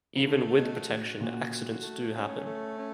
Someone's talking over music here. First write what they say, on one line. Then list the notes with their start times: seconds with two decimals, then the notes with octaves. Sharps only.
Even with protection, accidents do happen.
0.16 C#3
0.26 D3 A3
0.58 B2 F#4
0.89 A2 C#4
1.20 A#2 F#4
1.52 F#4
1.83 A3
2.15 C#4
2.45 A3
2.77 C#4